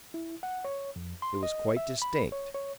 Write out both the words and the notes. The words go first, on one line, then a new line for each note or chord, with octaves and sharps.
It was quite distinct.
E4
F#5
C#5
F2
C6
D#5
E5
B5
C#5
C#5